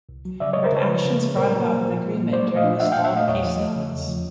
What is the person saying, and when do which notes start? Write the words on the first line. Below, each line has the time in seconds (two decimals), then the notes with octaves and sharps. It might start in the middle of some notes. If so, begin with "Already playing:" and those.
Their actions brought about an agreement during the stalled peace talks.
0.09 C2
0.25 F#3
0.40 C#3 D5 E5
0.53 G#3 C#5 D#5
0.64 A#4 C5
0.73 C#3 B4 C#5
0.88 F3
1.05 C#3
1.21 G#3
1.36 A#2 A#4 C5
1.52 A#3
1.68 A#2
1.84 F3
2.00 A#2
2.17 A#3
2.33 A#2 C5 D5
2.48 A3
2.56 D#5 F5
2.64 D4
2.80 F3 E5 F#5
2.92 A#2 F5 G5
3.04 E5 F#5
3.12 A3 D#5 F5
3.28 E2 C#5 D#5
3.43 F3
3.60 A3
3.76 C#3
3.92 E2
4.07 F3